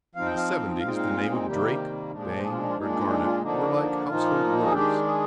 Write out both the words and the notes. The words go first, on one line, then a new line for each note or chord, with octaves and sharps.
In the 'seventies the name of Drake, Bang, or Garnet were like household words.
F3 C4 D#4 F5
G5
F5
A#2 G#3 C4 D#4 F5
G5
F5
C3 D#3 G3 A#3 G4
A#2 F3 G#3 D4 D#4
G4
G#4
C5
G#4
F4
D#4
F4
A#2 G#3 D4 D#4
D#4
D#4
F4
D3 F3 A#3 D4 D#4
A#2 F3 A#3 D#4 F4
G#4
D#3 G#3 D4 G4
G#4